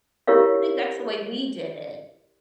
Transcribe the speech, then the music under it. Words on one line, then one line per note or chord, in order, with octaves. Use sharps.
I think that's the way we did it.
E4 G4 A#4 C#5 F5